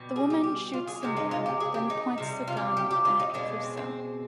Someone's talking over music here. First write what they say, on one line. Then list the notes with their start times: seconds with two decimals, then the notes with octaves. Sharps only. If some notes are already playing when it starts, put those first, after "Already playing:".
The woman shoots the man, then points the gun at Clouseau.
Already playing: B2 G3
0.16 G#4
0.30 G4
0.44 G4
0.73 F4
0.87 G#4
1.02 C3 D#3 G#3 G4
1.17 D#4
1.31 F4
1.46 G4
1.60 G#4
1.74 G4
1.90 D#4
2.18 C3 G3
2.48 F4
2.57 G4
2.77 G4
2.91 G4
3.05 F4
3.20 D#4
3.34 B2 G#3 D4
3.63 C4
3.77 C4